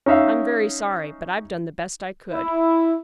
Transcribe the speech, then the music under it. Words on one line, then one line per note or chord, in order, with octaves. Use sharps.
"I'm very sorry; but I've done the best I could."
C#4 D#4 E5 F5
E4